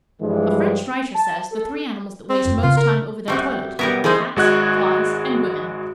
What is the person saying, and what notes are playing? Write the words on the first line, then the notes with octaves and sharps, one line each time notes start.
A French writer says, the three animals that waste most time over their toilet are cats, flies, and women.
G2 E3 F3 G3 G#3
A5
A4
C4
F2 F4
C#3 F4
A#4
F#2 G3 A3 C4 F#4
B2 G3 B3 A#4 E5
E3 D#4 G#4 A4 C5
G#1 G#3 F#4 D#5 F#6 G#6